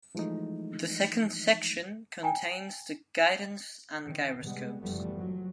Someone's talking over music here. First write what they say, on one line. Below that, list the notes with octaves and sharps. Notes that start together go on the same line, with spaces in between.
The second section contains the guidance and gyroscopes.
E3 F3 G#3 A3 D#4
G5 G#5 A#5
D#3
C3 G3 G#3 B3
F#1 E3 F3 G3 A3 B3
F3 F#3